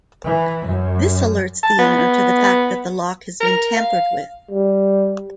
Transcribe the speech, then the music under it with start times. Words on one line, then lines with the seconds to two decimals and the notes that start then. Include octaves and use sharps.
This alerts the owner to the fact that the lock has been tampered with.
0.24 E3
0.65 F#2
1.63 A5
1.79 B3
3.40 A#4
3.77 F5
4.51 G3